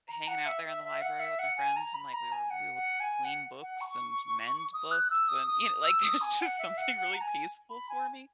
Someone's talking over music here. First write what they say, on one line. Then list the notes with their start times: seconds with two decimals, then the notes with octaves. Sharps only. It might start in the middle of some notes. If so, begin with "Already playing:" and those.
hanging out there in the library with my friends and like we were we would clean books and mend books and, you know, like, there's just something really peaceful for me.
0.08 A#5
0.28 F#5
0.46 E5
0.64 E5
0.84 E5
1.01 F#5
1.20 E5
1.39 F#5
1.57 G#5
1.76 A#5
1.94 B5
2.13 A#5
2.32 G#5
2.50 F#5
2.75 F#5
3.00 G#5
3.24 F#5
3.62 F#5
3.81 C#6
4.74 D#6
4.91 F#6
5.10 E6
5.28 D#6
5.47 D#6
5.66 D#6
5.84 E6
6.03 D#6
6.21 G#5
6.40 F#5
6.59 E5
6.77 F#5
6.96 F#5
7.13 A#5
7.21 G#5
7.70 B5
7.89 G#5